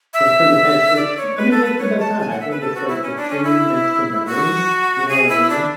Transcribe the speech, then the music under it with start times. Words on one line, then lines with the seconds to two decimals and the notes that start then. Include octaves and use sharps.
That's so I mean, it's the best time. I think it's, like, the food makes the memories. You know what I mean?
0.14 E5
0.96 D5
1.17 C#5
1.37 B4
1.51 A4
1.65 B4
1.78 C#5
1.99 A5
2.20 G#5
2.30 F#5
2.40 E5
2.51 B4
2.61 A4
2.75 F#4
2.88 E4
3.02 C#4
3.16 D4
3.30 C#4
3.44 E4
4.26 F#4
5.08 G#4
5.29 E4
5.50 D4